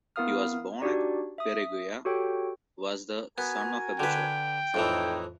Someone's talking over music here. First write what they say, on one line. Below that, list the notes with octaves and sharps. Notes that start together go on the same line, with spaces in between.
He was born at Perugia, was the son of a butcher.
B3 E4 A#4 F5 D#6 F6
D4 D#4 F#4 G4 D5
E5 D#6
F#4 G4 A4 C#5 G5
B3 F#4 A#4 G#5
D3 B4 G5
F2 A2 E3 D#4 E4